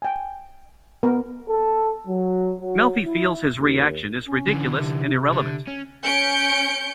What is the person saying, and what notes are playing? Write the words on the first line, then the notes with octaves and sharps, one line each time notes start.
Melfi feels his reaction is ridiculous and irrelevant.
G5 G#5
B3 A#4
A4
F#3
F#3
E4
D#2
C#4
D3 E3
C3
D3
C#4
C#4 G6 C#7 D7